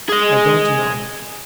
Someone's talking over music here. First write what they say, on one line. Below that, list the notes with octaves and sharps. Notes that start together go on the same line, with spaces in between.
'I don't know.
G#4 D#5